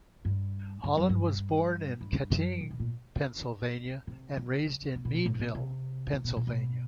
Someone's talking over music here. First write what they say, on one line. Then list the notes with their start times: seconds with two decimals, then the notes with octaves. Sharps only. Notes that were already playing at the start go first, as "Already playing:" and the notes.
Holland was born in Kittanning, Pennsylvania and raised in Meadville, Pennsylvania.
0.25 G2
0.84 G2
0.97 F#2
1.09 G2
2.01 G2
2.30 F#2
2.61 A#2
2.70 B2
2.80 A#2
4.07 C3
4.37 C#3
4.95 C#3
5.05 B2
5.15 A#2
5.25 A2
5.35 B2
5.39 C3
5.55 C3
6.13 C3
6.24 B2
6.36 A#2
6.47 B2